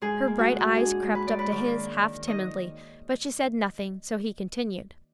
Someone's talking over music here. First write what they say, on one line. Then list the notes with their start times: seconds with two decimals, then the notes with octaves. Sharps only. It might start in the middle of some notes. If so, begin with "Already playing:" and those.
Her bright eyes crept up to his, half-timidly; but she said nothing, so he continued.
0.01 G#2 G#4
0.27 A#3
0.39 F#4
0.52 G#2
0.77 D4 G#4
1.02 G#2
1.15 B4
1.27 G#2 D5
1.39 B4
1.52 D#3 D5
1.78 A#3
2.02 D#3
2.27 D#4 D#5